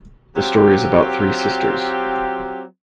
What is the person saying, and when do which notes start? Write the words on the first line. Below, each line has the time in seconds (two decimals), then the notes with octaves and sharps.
The story is about three sisters.
0.36 F#3 C4 F4 G4